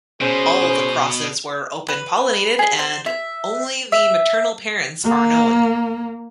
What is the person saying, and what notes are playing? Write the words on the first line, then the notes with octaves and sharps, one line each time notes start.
All the crosses were open pollinated and only the maternal parents are known.
B2 C#4 G#4 C5
B4
G#4
C5
E5
E5
A#3